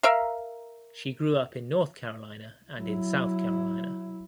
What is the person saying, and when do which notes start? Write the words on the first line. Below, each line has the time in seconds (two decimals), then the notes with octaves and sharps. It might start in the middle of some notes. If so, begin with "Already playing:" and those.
She grew up in North Carolina and in South Carolina.
0.03 A#4 E5 F5
2.78 F#3 E4